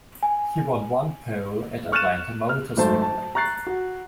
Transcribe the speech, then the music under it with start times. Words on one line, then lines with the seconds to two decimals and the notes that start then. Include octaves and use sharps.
He won one pole at Atlanta Motor Speedway.
0.23 G#5
1.92 C#6 F6 F#6 A6 D#7 E7
2.49 F6
2.77 G#1 F#2 A3 C5 A5
3.02 A5
3.35 A#5 C#6 F#6 A6 C7
3.67 F#4